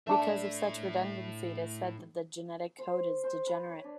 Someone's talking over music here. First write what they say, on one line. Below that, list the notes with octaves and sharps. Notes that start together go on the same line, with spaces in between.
Because of such redundancy it is said that the genetic code is degenerate.
A2 A3 D4 E5
C5
C5
B4
C#5
D4